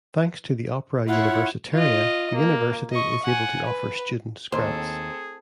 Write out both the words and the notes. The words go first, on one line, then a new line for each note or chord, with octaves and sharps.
Thanks to the Opera Universitaria, the University is able to offer students grants.
E4 F4 C#5 F#5
F4 D#5
A#3
D#5 C#6
F#5 G#5
B4
D#2 C4 G#4 A4 C5